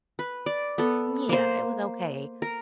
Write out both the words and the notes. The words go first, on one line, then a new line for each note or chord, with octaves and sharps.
Yeah, it was okay.
B4
D5
B3 A4
A#3 C5
A#4